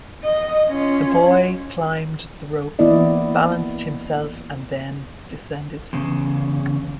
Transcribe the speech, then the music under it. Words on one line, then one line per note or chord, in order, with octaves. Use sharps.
The boy climbed the rope, balanced himself and then descended.
D#5
C#4 F4
E3 A#3 B3 E4 D5 D#5
E2 C#3